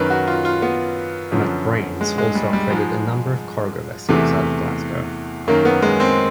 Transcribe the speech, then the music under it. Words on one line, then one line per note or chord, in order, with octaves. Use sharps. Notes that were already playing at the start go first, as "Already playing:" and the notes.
MacBrayne's also operated a number of cargo vessels out of Glasgow.
Already playing: F#2 D#3 B4
F#4
F4
F4
B3
F#2 D3 F3
G#3
G#3
G3
G3
G#2 F3 G#3
E2 C3 E3 A3
F#2 D#3 A#3
B3
G#3
C4